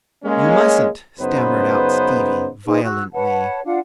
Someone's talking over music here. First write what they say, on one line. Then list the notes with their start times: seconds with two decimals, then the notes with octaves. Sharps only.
"You mustn't," stammered out Stevie violently.
0.24 G#3 A#3 C#4
1.19 F#2 C#3 B3 D#4 B4 C5
2.66 D#4 G#4 B4 C5
2.84 F#4 C#6 E6 F#6
3.13 B4 C#5 F#5 A5
3.65 D4 F4 F5 F#5